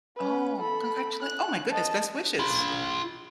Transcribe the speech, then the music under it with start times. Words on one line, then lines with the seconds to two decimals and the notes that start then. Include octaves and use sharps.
Oh, congratulate oh my goodness, best wishes.
0.16 C#4 B4
0.60 A4 B5
1.22 F#6
1.70 D#5 A5
2.39 F4 B5